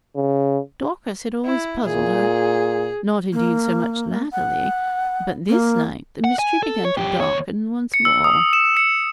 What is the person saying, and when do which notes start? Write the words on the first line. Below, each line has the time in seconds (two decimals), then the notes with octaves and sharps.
Dorcas had always puzzled her--not, indeed, so much latterly--but this night the mystery began to darken once more.
0.16 C#3
1.44 E4
1.85 A#2 G#4
3.33 A#3
4.33 F#5
5.49 A#3
6.24 F#5
6.39 G#5
6.63 A4
6.85 C#5
6.97 F#2 G4
7.19 D#2 C#5
7.94 C#7
8.05 E6
8.24 D#6
8.53 E7
8.77 C#7